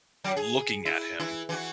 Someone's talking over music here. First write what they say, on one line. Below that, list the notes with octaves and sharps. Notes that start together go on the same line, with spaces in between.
looking at him
F#3
G#4
E4
E3 E4
E3 F#4